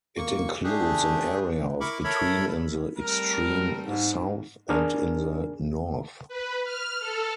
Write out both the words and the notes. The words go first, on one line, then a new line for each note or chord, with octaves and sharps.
It includes an area of between in the extreme south and in the north.
A#3 C#6
A3 D4 G4 G#4
E4 A#4 B5 C#6 D6
A4 A#4 C#5 E5 B5
G3 A3 C4 A#4
G#2
D4 G#4 A#4 F6
B4
F6
A4